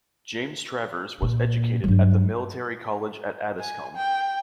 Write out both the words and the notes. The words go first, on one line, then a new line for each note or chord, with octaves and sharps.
James Travers was educated at the military college at Addiscombe.
A#2
G2 F#3
G#5
G5